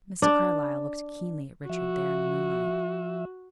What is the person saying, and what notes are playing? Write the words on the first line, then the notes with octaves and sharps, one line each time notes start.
Mr. Carlyle looked keenly at Richard there in the moonlight.
D4
F3 F#4 E5